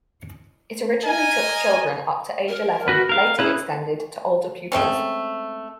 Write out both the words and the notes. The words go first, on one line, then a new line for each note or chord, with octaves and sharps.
It originally took children up to age eleven, later extended to older pupils.
A#4 D#5 G#5
A#4
F#4 B4
A#4 F5
C#4 E4 G#4 B4
G#3 A3 C4 C#4